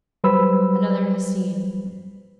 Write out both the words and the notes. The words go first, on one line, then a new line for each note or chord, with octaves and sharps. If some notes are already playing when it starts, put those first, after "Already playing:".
Another has seen....
F#3 G3 B4 C5 B5 E6